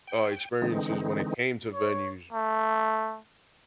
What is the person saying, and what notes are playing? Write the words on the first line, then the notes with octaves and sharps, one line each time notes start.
uh, experiences when it came to venues
G5
D3 E3 G#3 C4 D#4
C#5
A3